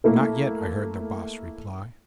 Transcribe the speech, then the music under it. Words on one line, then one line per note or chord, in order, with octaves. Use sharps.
"Not yet," I heard the Boss reply.
A3 A#3 E4 A4